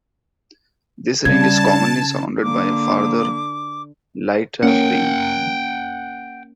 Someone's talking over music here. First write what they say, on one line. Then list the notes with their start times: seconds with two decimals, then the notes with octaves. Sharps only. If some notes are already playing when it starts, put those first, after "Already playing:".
This ring is commonly surrounded by a farther lighter ring.
1.25 C#3 G3 A5 G#6
2.42 D3 A#3 D6
4.63 A#3 C#4 F#5 G5